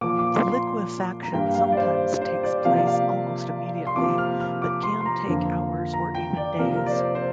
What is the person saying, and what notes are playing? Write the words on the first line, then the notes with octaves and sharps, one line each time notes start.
The liquefaction sometimes takes place almost immediately, but can take hours or even days.
A#2 F3 A#3 D6
D6
C6
C6
A#5
G2 G3 A#3 G5
F5
D5
C5
C5
D5
C3 F3 A#3 F5
D5
F5
C6
C3 F3 A#3 D6
F6
F6
D6
C6
C6
A#5
F2 D3 F3 A#3
A#5
G5
D5
C3 F3 A#3 A#4
A#4
D5
C5
C5